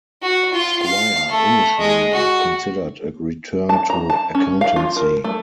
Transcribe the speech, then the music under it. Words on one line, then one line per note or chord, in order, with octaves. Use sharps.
Squire initially considered a return to accountancy.
F#4
F4
F5
A3
G#3
F#4
A5
A#5
A5
C#4
F5
F4
A#4
A3